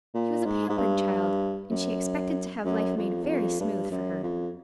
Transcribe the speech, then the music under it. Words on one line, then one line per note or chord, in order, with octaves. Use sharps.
She was a pampered child, and she expected to have life made very smooth for her.
A#2
G#2
G#2
G2
F#2
F#2
F2
E2
F2
G2
F#2
F2